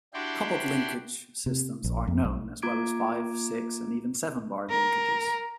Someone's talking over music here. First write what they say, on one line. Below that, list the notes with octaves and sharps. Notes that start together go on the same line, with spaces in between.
Coupled linkage systems are known, as well as five-, six-, and even seven-bar linkages.
D4 E4 F#4 G4 G5 C6
C3
A#1
F2
B1
A#3 F4 A#5 D6 G#6 D7
A#4